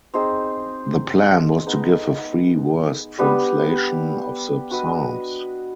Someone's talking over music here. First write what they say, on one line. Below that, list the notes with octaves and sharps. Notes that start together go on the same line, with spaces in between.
The plan was to give a free verse translation of the Psalms.
C4 D#4 G#4 C5
G#3 B3 D#4
G3 B3 D4 G4
D4 F#4 B4 D#5